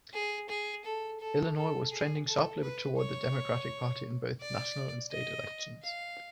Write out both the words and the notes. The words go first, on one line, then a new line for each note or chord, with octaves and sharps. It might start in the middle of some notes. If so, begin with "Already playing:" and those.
Illinois was trending sharply toward the Democratic party in both national and state elections.
G#4
G#4
A4
A4
A4
G#4
A4
B4
C#5
D5
D#5
F5